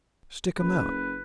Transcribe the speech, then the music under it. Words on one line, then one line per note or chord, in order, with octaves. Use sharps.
Stick 'em out.
F#1 B4